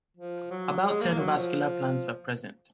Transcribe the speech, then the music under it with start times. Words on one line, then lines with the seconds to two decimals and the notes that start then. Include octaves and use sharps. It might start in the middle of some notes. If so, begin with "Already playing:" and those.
About ten vascular plants are present.
0.17 F3
0.51 F#3
0.84 G#3
1.01 A#3
1.18 F#3
1.36 F3